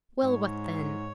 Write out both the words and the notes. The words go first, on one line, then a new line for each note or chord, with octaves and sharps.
Well, what then?
G#2 C#5